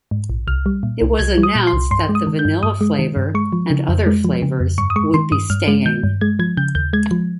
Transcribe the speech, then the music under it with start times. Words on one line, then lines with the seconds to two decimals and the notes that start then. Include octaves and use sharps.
It was announced that the Vanilla flavor and other flavours would be staying.
0.11 G#2
0.30 A#1
0.47 C2 F6
0.66 G3
0.83 A#2
1.02 C2
1.19 C2 G#6
1.37 G3
1.43 D#6
1.55 A#2
1.67 C6
1.73 C2
1.91 G2 C6
2.09 G#3
2.15 D#6
2.27 D#3
2.39 G6
2.45 G2
2.63 G2 D#6
2.81 G#3
2.99 D#3
3.16 G2
3.35 G#3 C#6
3.53 F3
3.70 C#3
3.89 F2
4.06 G#3
4.25 F3
4.42 C#3
4.60 F2
4.78 G2 C#6
4.90 D#6
4.96 G#3 C#6
5.14 D#3 C6
5.31 G2 D#6
5.50 G2 F6
5.68 G#3
5.86 D#3 G6
6.03 G2
6.21 G#3 G#6
6.39 F3 G#6
6.57 C#3 G6
6.75 D#2 G6
6.93 G#3 G#6
7.11 F3